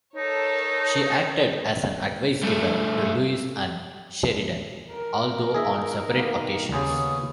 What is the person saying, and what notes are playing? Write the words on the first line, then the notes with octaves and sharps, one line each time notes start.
She acted as an advice-giver to Luis and Sheridan, although on separate occasions.
D#4 A4 A#4 C#5
G2 A3
A#4
D#3 G#4 D#5 E5
A#3 B3
D#2 C#3 B3 C#4 G#4